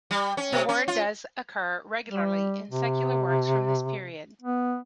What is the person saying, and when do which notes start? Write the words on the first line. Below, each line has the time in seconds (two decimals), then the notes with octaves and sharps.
The word does occur regularly in secular works from this period.
0.11 G3
0.37 C#4
0.52 B2
0.69 C#4
0.88 F4
2.09 G3
2.71 C3
4.41 B3